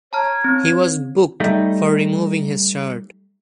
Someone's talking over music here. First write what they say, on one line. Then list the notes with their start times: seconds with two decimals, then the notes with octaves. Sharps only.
He was booked for removing his shirt.
0.13 C#5 A5 A#5 F6
0.44 C4
1.40 G3 A3 D#4